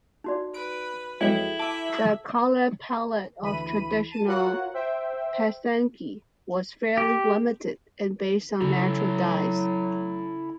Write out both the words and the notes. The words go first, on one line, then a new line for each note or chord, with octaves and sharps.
The color palette of traditional pysanky was fairly limited, and based on natural dyes.
D#4 F#4 D5
B4 D7
F2 F#3 G#3 E4 A4 G5
E5 A5 D6
D2 E3 B5 D#7
A5 D#7
F4 F#4 A#4 C#5 F#5
C5 E5 G5
G4
C#3 F#3 E4 A4 A#5